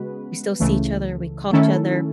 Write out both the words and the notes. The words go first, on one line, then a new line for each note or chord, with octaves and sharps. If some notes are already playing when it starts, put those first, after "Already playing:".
We still see each other, we call each other,
Already playing: C#3 G#3 B3 F#4 B4
C#2 C#3 E3 A3
D#3 A3 C#4 E4 A4